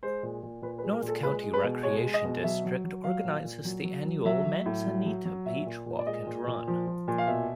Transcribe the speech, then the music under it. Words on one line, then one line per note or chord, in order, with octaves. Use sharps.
North County Recreation District, organizes the annual "Manzanita Beach Walk and Run".
G#3 C5
A#2
A#2
A#2 B4
B4
G#3
A#4
A#2
A4
G#3 B4
G#3
B4
B2
G#3 C#5
G#3
D#5
B2
F#3 E5
F#3
F#3
F#3 F5
A#2
A#2
F#3
F#3
F#3
F#3 E5
F#3
A2
F#3
F#3
F#3
A#2 E5
A#2
A#2
D5
G#3 D#5
A#2
A#2
F3
F3
A#2
F5
B2 E5